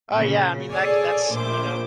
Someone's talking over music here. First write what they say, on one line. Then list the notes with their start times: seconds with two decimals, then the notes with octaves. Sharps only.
Oh, yeah. I mean, that g that's, you know,
0.11 A#2 C#3
0.69 G#4 A4 C#5 D5 G#5
1.31 A#1 A#2 A3 C5 D6